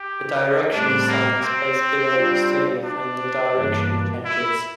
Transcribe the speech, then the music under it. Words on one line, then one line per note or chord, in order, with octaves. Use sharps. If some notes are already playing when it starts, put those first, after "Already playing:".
A direction sign is placed below the stave when the direction changes.
Already playing: G4
A2 G3 C4 D4
A#3
C4
G3 D4 F4
D4
G2 E3 A#3
E4